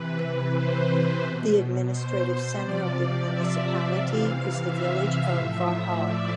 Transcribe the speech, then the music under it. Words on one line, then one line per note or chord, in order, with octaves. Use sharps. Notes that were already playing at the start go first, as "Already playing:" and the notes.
The administrative centre of the municipality is the village of Varhaug.
Already playing: C3 E3 B4
C5
B2
C5
C3 F3 D5
E5
C3 E3 F5
E5
A2 F3 E5
D5